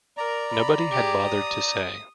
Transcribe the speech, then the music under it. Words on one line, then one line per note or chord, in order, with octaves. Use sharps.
Nobody had bothered to say.
A#4 D5 A#5
B5
G4 G#4
D#6